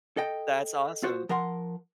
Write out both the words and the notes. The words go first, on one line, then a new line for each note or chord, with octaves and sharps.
That's awesome.
A4 D#5 G5
F4 F#4 C5
F3 A#4 F#5 C6